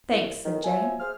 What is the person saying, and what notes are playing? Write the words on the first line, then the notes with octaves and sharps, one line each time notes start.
"Thanks," said Jane.
C2
E2 A2 D#3
F3 F#3 E5 G#5
G#4 C5 F6